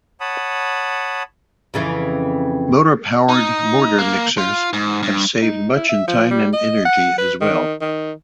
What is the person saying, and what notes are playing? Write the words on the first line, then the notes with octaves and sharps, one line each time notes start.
Motor powered mortar mixers have saved much in time and energy as well.
C#5 F#5 A5 B5 D#6
F2 C#3 E3
D#4
A#3
F4
G#2
G2
D#4
E4
E5
F3
G3
D#5
F#5
B4
D#3
D#3